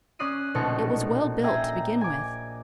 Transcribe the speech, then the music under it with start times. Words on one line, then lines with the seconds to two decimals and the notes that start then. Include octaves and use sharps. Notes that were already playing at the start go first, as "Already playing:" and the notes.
It was well built to begin with.
0.19 C#4 D5 D#6 F#6 C7 D#7
0.55 A#1 B2 A3 D#4 A4 C#7
1.44 G#4 E5 G5 A#5
2.01 G#5 D6